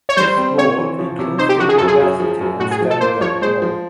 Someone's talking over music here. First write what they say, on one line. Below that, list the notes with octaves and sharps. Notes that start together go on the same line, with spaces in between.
This ward includes the University and Stone Road Mall.
C#5
G3 C5
C4
C4 C#5
E3
F3
C3
D#4 C5
G4
F3 F#4
G#4
F#2 A4
G#4
F#2
F3
F#2
A2 F#4
G#4
F3
A4
A#3 C5
F3 C#5
G#3 C5
F3